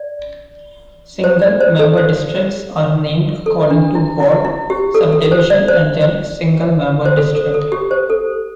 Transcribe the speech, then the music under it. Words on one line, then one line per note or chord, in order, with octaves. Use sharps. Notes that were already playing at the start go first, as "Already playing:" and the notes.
Single Member Districts are named according to Ward, Subdivision, and then Single Member District.
Already playing: D5
C5
D5
C5
A4
C5
A4
D4
E4
E4
E4
G4
A4
A4
C5
D5
C5
C5
A4
A4
A4
G4
C5
A4